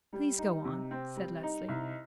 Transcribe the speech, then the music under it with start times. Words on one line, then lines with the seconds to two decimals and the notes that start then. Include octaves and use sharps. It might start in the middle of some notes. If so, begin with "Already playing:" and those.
"Please, go on," said Leslie.
0.13 G3
0.38 D#4
0.65 C3
0.91 C4
1.16 G3
1.43 D#4
1.68 C2